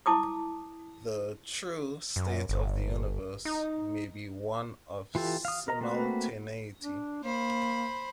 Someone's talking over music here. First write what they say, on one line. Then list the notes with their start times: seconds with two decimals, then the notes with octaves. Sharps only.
The 'true' state of the universe may be one of simultaneity.
0.06 E4 A5 D6 D#6
2.16 F#2
2.49 G1
3.45 D#4
5.15 E3 F4 G4 A4
5.45 F5 D#6
5.68 A#4 D#5 A#5
5.81 A3 A#3 C4 F#4 B4
6.81 D4
7.24 A#3 C5 B5